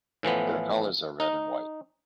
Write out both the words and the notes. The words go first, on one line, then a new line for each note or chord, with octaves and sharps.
Their colors are red and white.
A2 E3 F3 B3
D#4